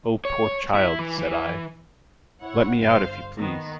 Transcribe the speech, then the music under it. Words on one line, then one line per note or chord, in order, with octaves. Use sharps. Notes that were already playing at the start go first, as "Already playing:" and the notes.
"Oh, poor child," said I; "let me out, if you please!"
C#5
E4
E3
E3
E4 C#5 F#5
G1 C5 F5
D#3 B3